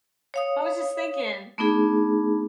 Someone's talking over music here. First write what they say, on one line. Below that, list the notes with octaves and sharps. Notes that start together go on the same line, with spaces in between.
I was just thinking,
C#5 F5 D#6
A3 B3 D4 D#4 G#4